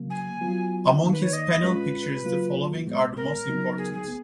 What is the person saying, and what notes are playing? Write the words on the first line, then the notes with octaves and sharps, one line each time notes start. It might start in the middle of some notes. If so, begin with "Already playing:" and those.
Among his panel pictures the following are the most important.
Already playing: C#3 F#3 A#3
G#5
F#3 B3 F4
D#3 A#3 D#4
B4
C#5
D#5
A#2 G#3 C#4 F4 B4
C#3 F#3 A#3 F4
A#2 G#3 B3
A#4
C#3 F#3 B3 D#4
G#4
G#4
B3